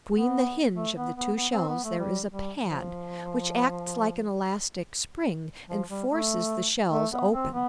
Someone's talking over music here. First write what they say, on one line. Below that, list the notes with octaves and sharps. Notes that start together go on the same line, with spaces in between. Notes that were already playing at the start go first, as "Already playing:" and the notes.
Between the hinge of the two shells there is a pad, which acts like an elastic spring, and forces the shells open.
B3
A3
B3
B3
B3
C4
B3
A3
G3
G3
F3
F3
G3
A3
A3
B3
C4
B3